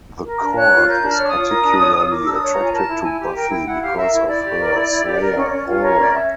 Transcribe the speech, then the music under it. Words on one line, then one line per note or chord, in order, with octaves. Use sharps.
The korred is particularly attracted to Buffy because of her Slayer aura.
A#4
D4
C#5 F#6
F4
A#4 G6
D4
F6
C#5
D6
D#6
F4
A#4
D4
C#5
F4
A#4 D6
D4 E6
D#6
C#5
F4 A#5
G#5
A#4 A5
E4
E4 G#5
G4
A#4 G5
E4 G5
E4 F#5
G4 F5
A#4 E5
E4
E4 D5
G4
A#4
E4
E4
G4
A#4
C#4
C#4
F4
A#4 C#5
C#4 D5
C#4 E5